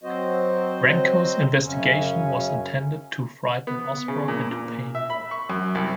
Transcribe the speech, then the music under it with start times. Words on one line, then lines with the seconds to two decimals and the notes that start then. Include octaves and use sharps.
Renko's investigation was intended to frighten Osborne into paying more.
0.04 F#3 C4 F#4 C5 D#5
1.63 F#2 C#3 C#4
3.67 B3
4.08 C#3
4.28 A#2
4.51 A#2
4.95 E5
5.10 B5
5.31 C#6
5.50 F#2
5.75 C2